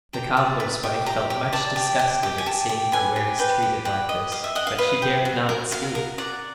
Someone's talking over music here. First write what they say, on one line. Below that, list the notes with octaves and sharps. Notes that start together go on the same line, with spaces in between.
The cobbler's wife felt much disgusted at seeing her wares treated like this, but she dared not speak.
G4 A#5
D5
B4
G4
G4 A#5
G4
D5 A5
G4
G4
G4
G#5
G4 A5
G4
B4 G#5
G4
B4 G5
G4
G4 F#5
D#5
D#5 F5
E5
D#5 F#5
F5
B4 F5
G4
F#4
A#4
F#4 F5
A#4
D5 F#5